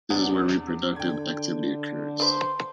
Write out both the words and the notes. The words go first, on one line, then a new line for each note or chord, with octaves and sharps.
This is where reproductive activity occurs.
E2 C3 B3 C#4 D4 F#5
D3 G5 G#6
D4 B4 C5